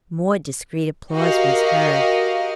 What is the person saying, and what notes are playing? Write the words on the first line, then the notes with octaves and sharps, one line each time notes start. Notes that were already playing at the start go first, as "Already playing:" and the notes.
More discreet applause was heard.
F#4 G4 A#4 D#5 F5